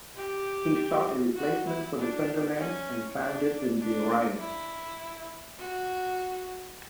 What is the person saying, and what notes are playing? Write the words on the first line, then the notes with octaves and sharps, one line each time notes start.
He sought a replacement for the Sunderlands and found it in the Orion.
G4
F#4
E4
D4
C#4
D4
D4
E4
F#4